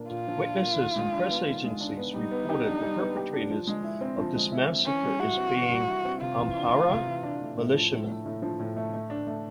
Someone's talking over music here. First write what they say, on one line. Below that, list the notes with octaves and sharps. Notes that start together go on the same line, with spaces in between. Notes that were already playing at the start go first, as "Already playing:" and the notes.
Witnesses and press agencies reported the perpetrators of this massacre as being Amhara militiamen.
Already playing: A#2 A#3 D4
A#2 F4
F3
D4
A#3
D#3
G#3
D4
B3
D#3
G#3
D4
B3
G3 D#4
B3
G4
D4
G3
B3
G4
D4
F3
G#3
E4
C4
F3
G#3
E4
C4
E3 C#4
G3
E4 F#4
C4
E3
G3
E4
C4
C3 F4
E3
D4
A3
C3
E3
D4
A3
A2
F3
A2
A3
A2
F3
A2
A3
A3
D4
A3